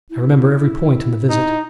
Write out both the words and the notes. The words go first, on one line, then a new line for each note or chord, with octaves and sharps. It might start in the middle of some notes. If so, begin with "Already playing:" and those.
I remember every point in the visit.
E4
D#4